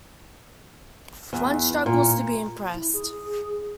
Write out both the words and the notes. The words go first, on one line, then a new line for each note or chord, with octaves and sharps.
One struggles to be impressed.
E2
A#2
E4
G#4